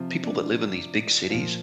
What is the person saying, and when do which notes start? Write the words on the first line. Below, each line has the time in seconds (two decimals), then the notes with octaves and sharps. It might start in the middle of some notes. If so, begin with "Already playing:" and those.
people that live in these big cities,
Already playing: C3 F3
0.23 D4
1.30 A#2 F3 F4